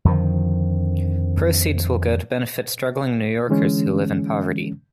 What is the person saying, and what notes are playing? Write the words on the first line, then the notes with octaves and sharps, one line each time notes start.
Proceeds will go to benefit struggling New Yorkers who live in poverty.
F2 D3 D#3 F3
D3 E3 G#3 C#4